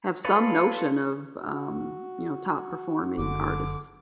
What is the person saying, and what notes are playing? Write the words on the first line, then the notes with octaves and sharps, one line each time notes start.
have some notion of, um, you know, top performing artists.
F4 A4 B4 C#5 D5
F#4
F#1 D3 D6